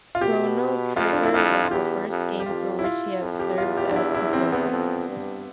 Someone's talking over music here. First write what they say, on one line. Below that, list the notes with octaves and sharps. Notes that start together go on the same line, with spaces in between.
"Chrono Trigger" was the first game for which he had served as composer.
F4
B2 G4
F2 F4
D4
E4
F2 F4
F4
E2 G4
F2
G4
F2 F4
E4
F4
F2
G4
E2 F4
G4
D4
E4
E4
C4
B3
F2
G2